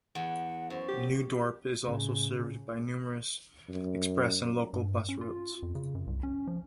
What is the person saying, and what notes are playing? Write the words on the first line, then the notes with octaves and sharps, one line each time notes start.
New Dorp is also served by numerous express and local bus routes.
E2 F#5
F#2 C5
G4
A2 C#3
F#2
G2
C#4
F4
F2
C#3
F#2
C2
C#4
F3